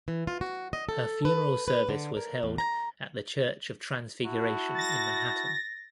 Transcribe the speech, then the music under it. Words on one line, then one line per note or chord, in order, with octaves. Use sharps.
Her funeral service was held at the Church of Transfiguration in Manhattan.
E3
F4
F#4
D#5
A4
B4
B4
D3
A#4
E2
A#5
E4 F#4 A5
A6 A#6